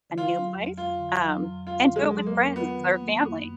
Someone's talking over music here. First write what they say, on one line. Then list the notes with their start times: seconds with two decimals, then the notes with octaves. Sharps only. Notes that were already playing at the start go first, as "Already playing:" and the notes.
a new place, um, and do it with friends or family.
0.10 D3
0.18 F4
0.32 F#3
0.54 F2
0.78 F2 F4
0.99 D3
1.22 F#3
1.45 F2
1.66 F2 F4
1.88 D3
1.96 G#3
2.11 F#3
2.26 A#3
2.34 F2
2.55 B3 F4
2.78 D#3
3.00 A#3
3.22 F#2